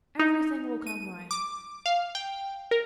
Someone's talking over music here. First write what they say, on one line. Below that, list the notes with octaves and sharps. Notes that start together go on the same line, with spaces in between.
Everything will come right.
D#4
D#7
D6
F5
G5
A#4